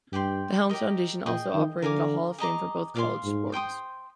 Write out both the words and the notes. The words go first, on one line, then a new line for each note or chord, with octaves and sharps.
The Helms Foundation also operated a hall of fame for both college sports.
G2 G4 D5 G5 C6
G4 A#4 D#5
A#2 G#4 D#5 G5
D#3
D3 A#4 F5 G#5 D6
G#4 D#5 A#5 D6
A#2 D5 F5 G#5 C6
G#2
C5 G5 C6 D#6